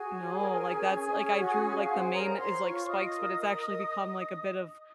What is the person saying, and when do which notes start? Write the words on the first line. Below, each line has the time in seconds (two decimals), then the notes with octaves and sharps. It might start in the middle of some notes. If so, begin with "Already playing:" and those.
No, like, that's like, I drew, like, the main is like, spikes, but it's actually become like a bit of,
Already playing: F#4 G#4 G#5
0.13 C#5
0.38 A#4
0.63 C#4
0.89 C#4
1.13 C#4
1.38 F#4
1.63 C#4
1.78 F5
1.89 C5 F#5
2.02 G#5
2.13 A#4 C#5 A#5
2.38 C5 C#5 C6
2.63 F4 C#5 C#6
2.79 C#6
2.88 F4 D#5 D#6
3.14 A#4